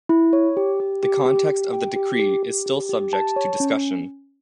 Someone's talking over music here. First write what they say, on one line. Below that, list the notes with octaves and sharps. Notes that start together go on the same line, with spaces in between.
The context of the decree is still subject to discussion.
E4
C#5
G4
G4
G4
G4
G4
G5
G4
G4
G4
G4
G4
A5
C#5
C#4